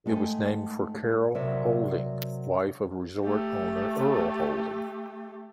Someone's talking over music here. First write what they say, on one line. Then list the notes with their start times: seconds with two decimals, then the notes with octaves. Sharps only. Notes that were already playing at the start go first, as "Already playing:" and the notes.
It was named for Carol Holding, wife of resort owner Earl Holding.
0.06 G#2 A3 A4 G5 G#5
1.35 C3 F#3 A#4 D5 E5
3.21 A3 G4